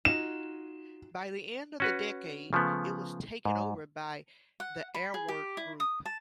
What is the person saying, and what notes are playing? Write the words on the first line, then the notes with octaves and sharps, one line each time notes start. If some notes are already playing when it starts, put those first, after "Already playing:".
By the end of the decade, it was taken over by the Airwork group.
D#4 F4 F#4 E7
C#4 F#4 B4
C#3 F3 A3 B3
G#2
F#5
B5
G#4
G4
E4
D#6
A5